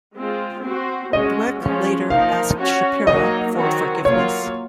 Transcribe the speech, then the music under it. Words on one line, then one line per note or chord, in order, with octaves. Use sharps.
Dwek later asked Shapira for forgiveness.
G#3 C4 F4
C4 F#4 C5
G#3 C#4 F#4 D#5
F3 G#3 C#4
F3 A#3 D#4 A#4 F5
C#4 F#4 C#5
F#3 A#3 D#4 D#5
D#3 F#3 C4 F#4 A#4
F#3 A#3 F4 C#5